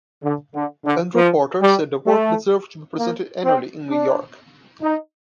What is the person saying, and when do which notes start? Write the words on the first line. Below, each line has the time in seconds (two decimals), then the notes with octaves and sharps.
Andrew Porter said the work deserved to be presented annually in New York.
0.24 D3
0.55 D3
0.85 D3
1.15 F3
1.61 G3
2.07 A3
2.98 A#3
3.44 C4
3.90 D4
4.82 D#4